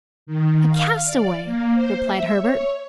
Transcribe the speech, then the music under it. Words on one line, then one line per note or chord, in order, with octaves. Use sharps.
"A castaway!" replied Herbert.
D#3
F5
D5
A#3
C5
E5
C#5